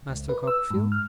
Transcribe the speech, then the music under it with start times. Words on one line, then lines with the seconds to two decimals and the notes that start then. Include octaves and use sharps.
'Master Copperfield?'
0.10 C#2
0.29 B4
0.47 E6
0.70 G#2
0.92 F6